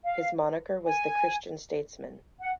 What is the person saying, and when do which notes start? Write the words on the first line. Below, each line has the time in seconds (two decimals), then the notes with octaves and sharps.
His moniker was the Christian Statesman.
0.04 F5
0.86 G#5
2.40 F#5